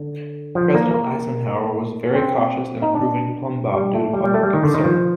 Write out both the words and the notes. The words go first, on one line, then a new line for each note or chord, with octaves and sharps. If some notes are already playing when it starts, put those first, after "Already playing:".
President Eisenhower was very cautious in approving Plumbbob due to public concern.
Already playing: D3
F3
A#3
A#3
C4
D#4
D4
G3
A3
G3
G3
A3
G3
D#3
D3
D#3
F3